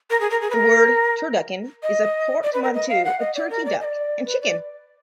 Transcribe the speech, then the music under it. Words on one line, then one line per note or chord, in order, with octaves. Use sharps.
The word "turducken" is a portmanteau of "turkey", "duck", and "chicken".
A#4
G#4
A#4
G#4
B4
A#4
D#5
D5
B4
A#4
D#5
F5
F#5
D#5
D5
A#4
D5
D#5
D5
B4
D5